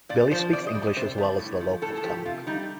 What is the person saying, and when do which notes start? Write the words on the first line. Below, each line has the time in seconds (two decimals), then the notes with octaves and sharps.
Billy speaks English as well as the local tongue.
0.09 A#2 D5
0.31 F3 C5
0.53 C3 D5
0.67 D#5
0.75 G3
0.82 D5
0.96 C3 C5
1.18 G3
1.39 A2
1.61 F3
1.82 A2 A4
1.98 A4
2.04 F3 G4
2.25 C3 F4
2.47 G3 D#4